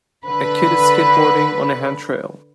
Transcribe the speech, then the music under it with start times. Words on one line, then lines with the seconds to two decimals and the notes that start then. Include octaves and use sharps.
A kid is skateboarding on a handrail.
0.26 D3 B4